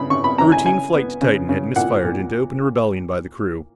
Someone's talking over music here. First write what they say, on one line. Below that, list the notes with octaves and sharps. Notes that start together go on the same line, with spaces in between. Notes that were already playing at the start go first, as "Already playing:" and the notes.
A routine flight to Titan had misfired into open rebellion by the crew.
Already playing: C#3 B5
C#3 C#6
B5
C#3 A#5
G#5
C#3 G#5
B3
C#3
C#3
A#2 F#5
A#2